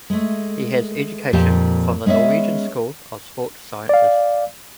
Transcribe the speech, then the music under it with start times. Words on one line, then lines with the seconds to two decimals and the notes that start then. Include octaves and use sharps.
He has education from the Norwegian School of Sport Sciences.
0.10 G#3 A3
1.33 F2 A#2 F4 G4
2.06 G#3 B3 C#4 G#4 E5
3.89 D5 F5